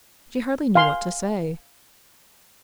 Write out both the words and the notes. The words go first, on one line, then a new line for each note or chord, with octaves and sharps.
She hardly knew what to say.
F5 G#5 C6